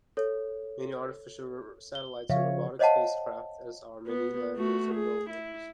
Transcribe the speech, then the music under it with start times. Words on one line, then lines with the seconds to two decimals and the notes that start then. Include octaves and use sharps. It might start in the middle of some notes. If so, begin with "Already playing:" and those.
Many artificial satellites are robotic spacecraft, as are many landers and rovers.
0.17 A4 C#5
1.95 G7
2.30 C#3 F3 C#5 E5 F5
2.79 C5 C#5 D#5 F5 F#5 A5
4.07 B3
4.56 A3 F#4
4.94 G#4
5.30 E4